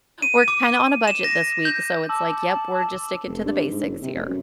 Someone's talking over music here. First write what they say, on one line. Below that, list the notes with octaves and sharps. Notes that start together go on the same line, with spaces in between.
we're kinda on a budget this week, so it's like, yep, we're just sticking to the basics here.
D#7
D6
E7
A#6
G6
A5 D6 E6
F1
G2
G#2
F#1
C3
F1
F#2